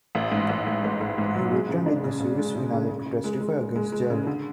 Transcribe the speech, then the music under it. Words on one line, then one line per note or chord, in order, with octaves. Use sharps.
He returned in the series finale to testify against Jerry.
A1
G#2
A1
A1
A1
A1
G#2
F#3
G#3
C#3
D4
C#3
C#3
G#3
C#3
C#3
C#3
C#3
G#3
G#3
G#3
G#3
G#3
C#3
D3